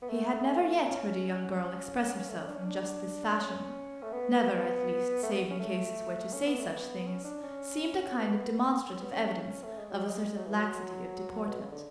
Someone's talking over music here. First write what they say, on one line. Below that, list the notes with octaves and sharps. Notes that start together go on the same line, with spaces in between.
He had never yet heard a young girl express herself in just this fashion; never, at least, save in cases where to say such things seemed a kind of demonstrative evidence of a certain laxity of deportment.
B3
A3
C#4
C#4
A3
C#4
D4
C#4
D4
C#4
A3
B3
A3
B3
C#4
A3
C#4
B3
A3
B3
C#4
D4
C#4
B3
C#4
B3
C#4
A3
G#3
F#3
G#3
F#3
E3
F#3
B2
C#3
D3